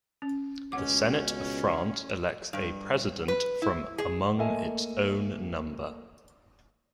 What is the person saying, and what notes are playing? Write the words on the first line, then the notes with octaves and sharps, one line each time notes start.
The Senate of France elects a president from among its own number.
C#4
C#2 B2 C#4 F#5 D6
G2
B4
E4
G#4
A3 A#3 A4 D#5 E5 G#5